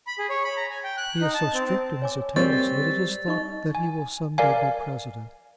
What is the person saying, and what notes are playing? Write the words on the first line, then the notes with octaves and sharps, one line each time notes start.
He is so strict in his attendance that it is thought that he will some day be president.
B5
G#4
C#5
B5
A#5
G#5
G5
F#6
D#4
A5
C4
C4
C#5 G#5 D6
G3 C4 A#4 C#5 C#6 A6
D#4 D#5 C#6
G#5
A#4 D5 F5 G#5